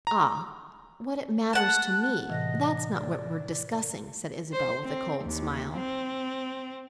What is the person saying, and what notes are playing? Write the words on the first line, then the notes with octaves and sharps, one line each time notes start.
"Ah, what it matters to me--that's not what we're discussing," said Isabel with a cold smile.
A#5
F#5 A5 F#6
A2 C3 E3 D#5
D5
C5
C4
D#2
C4